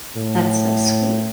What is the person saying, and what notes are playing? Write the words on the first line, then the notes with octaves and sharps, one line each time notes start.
That's so sweet.
A2